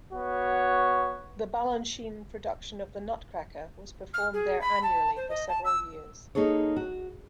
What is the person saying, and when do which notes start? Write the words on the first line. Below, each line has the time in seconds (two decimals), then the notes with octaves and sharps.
The Balanchine production of "The Nutcracker" was performed there annually for several years.
0.13 B3 F#4 C#5
4.13 F6
4.33 G#4
4.61 B5
4.83 A5
5.16 C5
5.29 D#5
5.48 A5
5.64 E6
6.35 A#3 D#4 G#4 A4 C#5
6.76 F#4